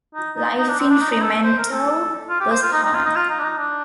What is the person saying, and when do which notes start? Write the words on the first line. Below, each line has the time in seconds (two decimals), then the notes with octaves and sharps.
Life in Fremantle was hard.
0.15 D#4
0.36 D#4
0.58 D#4
0.68 D4
0.79 C4
0.90 D4
1.01 D#4
1.11 D#4
1.22 A4
1.33 A4
1.44 C5
1.58 A#4
1.72 A4
2.29 F4
2.40 G4
2.51 C5
2.62 F4
2.73 D#4
2.83 D#4
2.94 F4
3.05 D#4
3.16 F4
3.30 D#4
3.39 D4
3.44 D#4
3.58 D4